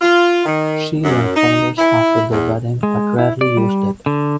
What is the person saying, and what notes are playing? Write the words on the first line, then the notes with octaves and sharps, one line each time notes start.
She learned Polish after the wedding but rarely used it.
F4
D#3
F#2
D#4
E4
E2
G#3
E4
D5
G3
D3